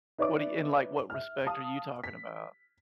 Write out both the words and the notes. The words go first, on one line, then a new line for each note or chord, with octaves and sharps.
What do y in, like, what respect are you talking about?
D#4 B4 C#5 D5 E5 D6
E5 F6
F5 A5 D#6
B6